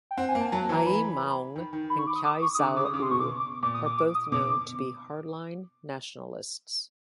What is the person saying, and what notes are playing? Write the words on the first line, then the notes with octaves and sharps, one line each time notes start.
Aye Maung and Kyaw Zaw Oo are both known to be hardline nationalists.
G5
C4 F#5
G#5
A#3
A5
F#3 A5
E3
A#5
B5
D#3
D#3
B5
C#6
D6
D#6
D6
C#6
D#6
D3 D6
D#6
C#3 D6
D#6
C#3 D6
C6
B2 C#6
D6
D6
A#2 D6
D#6
D6
D6
D#6
B2 D6